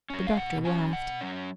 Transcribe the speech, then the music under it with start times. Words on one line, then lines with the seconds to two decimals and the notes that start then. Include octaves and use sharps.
The doctor laughed.
0.10 F#3 C#4
0.27 F5
0.37 B2 F#5
0.65 F#3 C#4 G#5
0.93 B2 F#5
1.21 F#3 C#4